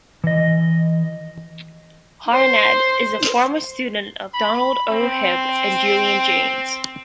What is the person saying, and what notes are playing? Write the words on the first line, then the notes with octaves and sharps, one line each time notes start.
Harnad is a former student of Donald O. Hebb and Julian Jaynes.
E3 D#5
C5
B5
C4